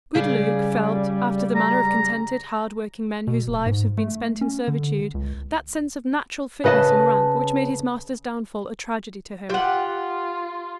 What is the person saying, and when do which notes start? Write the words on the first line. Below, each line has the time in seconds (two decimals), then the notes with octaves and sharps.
Good Luke felt, after the manner of contented hard-working men whose lives have been spent in servitude, that sense of natural fitness in rank which made his master's downfall a tragedy to him.
0.15 C#3 G3 G#4 D5
1.56 A#5
3.27 B2
3.47 D1
3.66 G#2
3.98 A3
4.41 C#4
4.68 D3
5.14 C#2
6.64 C#3 B4 D#5 F#5 A5
9.50 F4 G4 F#5